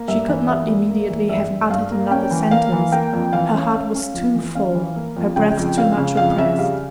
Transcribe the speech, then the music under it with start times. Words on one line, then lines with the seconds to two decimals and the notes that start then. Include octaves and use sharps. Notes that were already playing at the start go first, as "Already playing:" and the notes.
She could not immediately have uttered another sentence; her heart was too full, her breath too much oppressed.
Already playing: A#3
0.08 G2 E5
0.28 E3
0.48 A#3 E5
0.68 G2
0.90 A#3
1.09 E3
1.29 G2 E5
1.50 G2
1.70 G2 F5
1.91 A#3
2.11 C#4 G5
2.31 E3
2.51 A#3 F5
2.72 E3
2.92 A#3 G5
3.13 F2
3.33 E3 F5
3.54 C#4
3.73 C#4
3.95 C#4
4.14 F2
4.35 E3
4.55 C#4 F5
4.75 E3
4.96 A#3
5.16 F2
5.36 C#3 G5
5.57 F2
5.77 C#3 F5
5.97 C#3
6.17 F2 F5
6.38 C#3 E5
6.58 G3 F5